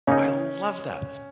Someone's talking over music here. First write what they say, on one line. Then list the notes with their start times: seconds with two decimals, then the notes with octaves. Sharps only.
I love that!
0.07 C#3 A#3 C#4 D#4